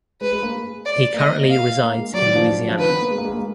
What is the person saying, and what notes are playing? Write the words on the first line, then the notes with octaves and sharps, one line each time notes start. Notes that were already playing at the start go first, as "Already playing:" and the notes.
He currently resides in Louisiana.
G#3 B4
G#3
A#3
G#3
D5
A#3
G#3 D#5
A#3
F5
A#3
G#3
F#3 D5
D#3
F3
F3
F#3
F3
D#3 B4
B3
A#3
G#3
A#3
G#3
A#3
G#3